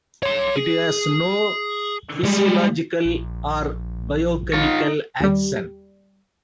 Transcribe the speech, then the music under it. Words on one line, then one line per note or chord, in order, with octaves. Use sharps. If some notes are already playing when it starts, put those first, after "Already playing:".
It has no physiological or biochemical action.
C#5 C6
G#4
G3 G#3
A#1
D#4 F4 C#5
D#2 G3